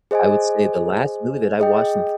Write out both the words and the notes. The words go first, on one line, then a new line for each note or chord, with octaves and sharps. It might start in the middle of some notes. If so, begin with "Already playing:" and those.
I would say the last movie that I watched in th
G#4 C5 D#5 G#5
G#4 D#5 G5